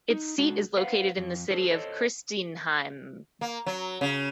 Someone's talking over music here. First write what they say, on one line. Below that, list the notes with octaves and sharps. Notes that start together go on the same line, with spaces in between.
Its seat is located in the city of Kristinehamn.
D#4
G#3 D4 F#4
B4 C5 F5 F#5
F2
F#4 G#4 A4 C5
A4 C5 C#5 D#5
A#3
F#3
C#3